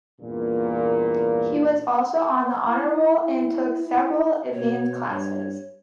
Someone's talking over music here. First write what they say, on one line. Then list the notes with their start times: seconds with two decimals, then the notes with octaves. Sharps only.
He was also on the Honor Roll and took several advanced classes.
0.20 E2 G2 A#2
2.68 E4
3.80 E4
4.53 B2 C#5
5.08 G2